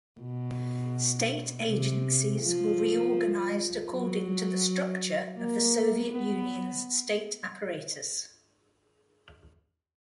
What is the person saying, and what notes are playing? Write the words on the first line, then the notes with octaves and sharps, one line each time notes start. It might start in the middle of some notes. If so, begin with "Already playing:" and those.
State agencies were reorganised according to the structure of the Soviet Union’s state apparatus.
B2
C3
F3
F#3
A#3
B3